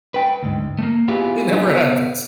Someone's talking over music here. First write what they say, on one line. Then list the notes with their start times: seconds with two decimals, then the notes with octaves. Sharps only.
it never happens.
0.14 B4 G5
0.43 D2 G#2
0.79 A3 A#3
1.08 B3 E4 F4 G4 G#4
1.52 F#3 B3 D4 D#4 F4 G#4
1.67 B3